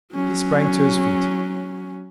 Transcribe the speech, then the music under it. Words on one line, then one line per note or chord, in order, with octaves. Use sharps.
He sprang to his feet.
F#3 C#4